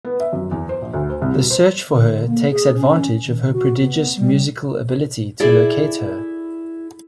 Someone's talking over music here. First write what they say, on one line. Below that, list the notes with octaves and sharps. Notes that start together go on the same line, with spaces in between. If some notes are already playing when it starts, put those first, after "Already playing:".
The search for her takes advantage of her prodigious musical ability to locate her.
B3
E5
F#2
E2
C5
A#1
D2
C5
C2
B2
C5
D3
A#3
G#4
C#4
D#3
F#4
B3
G3
E4 G#4 A4 D5